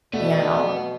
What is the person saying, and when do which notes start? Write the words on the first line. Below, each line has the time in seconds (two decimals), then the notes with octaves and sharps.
You know?
0.13 B2 A3 B4 D5 F#5